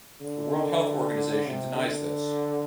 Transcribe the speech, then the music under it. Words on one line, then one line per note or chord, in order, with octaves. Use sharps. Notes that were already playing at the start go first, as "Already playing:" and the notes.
The World Health Organisation denies this.
D3
C3
D3